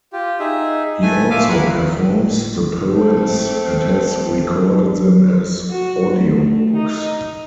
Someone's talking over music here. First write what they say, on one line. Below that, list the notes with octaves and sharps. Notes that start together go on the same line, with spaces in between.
He also performs the poems, and has recorded them as audio books.
F4 G4
D#4 G#4 E5
A3 G#5
F4 E5 F5 G#5 D6
A#4 F#5 B5
A3 C4
F#4
A3
D#4